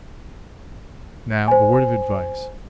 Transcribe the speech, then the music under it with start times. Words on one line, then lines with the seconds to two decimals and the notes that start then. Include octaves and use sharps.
"Now, a word of advice."
1.48 C5 G#5